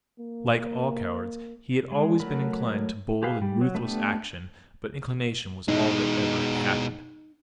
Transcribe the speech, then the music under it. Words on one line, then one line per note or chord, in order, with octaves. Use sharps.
Like all cowards, he had always been inclined to bold and ruthless action; but inclination was all that ever had happened.
A#3
G#3
F#3 A3 A#4 B5
G4 G#4 B4 F5
G3
F#3
A3 B3 D4 G4 A4
B2 G#3 D#4